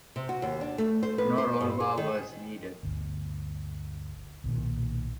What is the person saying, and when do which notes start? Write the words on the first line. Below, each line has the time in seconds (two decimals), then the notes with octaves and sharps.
No rollbar was needed.
0.16 C3
0.29 F#4
0.42 D#2
0.61 D4
0.78 A3
1.03 C5
1.18 B4
1.38 C5
1.61 G2
1.80 G#4
1.98 D#3
2.83 G1 D2
4.44 B1 A#2 D#3